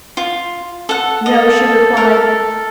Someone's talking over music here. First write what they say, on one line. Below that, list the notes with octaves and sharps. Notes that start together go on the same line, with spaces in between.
"No," she replied.
F4
A4 F#5
A4 D#5
A#4